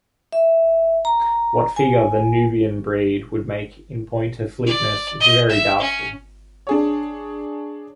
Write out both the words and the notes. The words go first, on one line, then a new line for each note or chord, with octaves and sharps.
What figure the Nubian breed would make in point of fleetness is very doubtful.
E5
A#5
G#5
D5
D#5
E5
C#4
D4 G#4 C#5